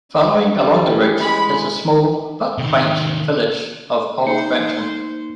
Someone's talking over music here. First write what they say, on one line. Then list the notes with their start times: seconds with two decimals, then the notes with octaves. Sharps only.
Following along the route is the small, but quaint village of Old Brampton.
0.55 G3
0.86 E3 C#4
1.21 G#3 B5
2.58 C3 D#3
4.26 A#3 D#4 C5 C#7